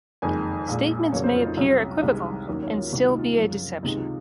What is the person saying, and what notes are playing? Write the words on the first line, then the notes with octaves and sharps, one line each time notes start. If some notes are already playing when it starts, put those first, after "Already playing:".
Statements may appear equivocal and still be a deception.
F#1 F2 D#3 G#3 G#5
A#1 A#2 G#3
F1 F2 C#3 F#3 A#3 C#5
C5
F4
D#4
C2 C3 F#3 C#4
C2 C3 D#3 G#3
D#2 D#3 F#3 A#3 C#4
C#4
F4
C2 C3 D#3 A#3 F#4
F4
D#4
F4
F#2 C#3 F3
C#2 C3 D#3 G#3 D#4
F4